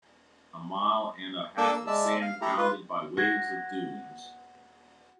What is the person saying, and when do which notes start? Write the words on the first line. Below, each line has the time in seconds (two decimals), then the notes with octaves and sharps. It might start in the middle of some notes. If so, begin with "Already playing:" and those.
A mile and a half of sand bounded by waves of dunes.
1.58 A#3 D4 A4 D6 E6
1.74 A#3 E6
1.87 G#3 D5 E5 A5 E6
2.22 F5
2.41 A3 E4 G4 A4 A#5
2.58 F4 B4
3.17 F#4 G#6 A#6